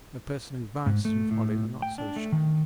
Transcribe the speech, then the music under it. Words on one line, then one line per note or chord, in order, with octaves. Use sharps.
A person whose vices and follies are not sociable.
G#2
A3
A2
G5
D4
A3
D#3